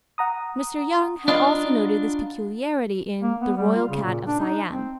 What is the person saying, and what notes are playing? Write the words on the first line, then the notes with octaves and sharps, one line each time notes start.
Mr. Young had also noted this peculiarity in "the Royal cat of Siam."
F#5 A#5 D#6
D4 F4 B4 D#5 F5
A#3
B3
G3
F4
C#3
A#2
D4
D#4
C4